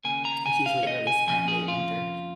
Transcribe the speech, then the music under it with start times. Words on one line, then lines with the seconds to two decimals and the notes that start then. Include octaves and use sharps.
it's usually early spring, late winter.
0.04 D#2 C#3 A#3 G#5
0.25 A#5
0.46 G#5
0.66 F5
0.83 C#5
0.87 D#5
1.07 G#5
1.27 F2 F3 A#3 C#4 G#5
1.48 G#4
1.68 F4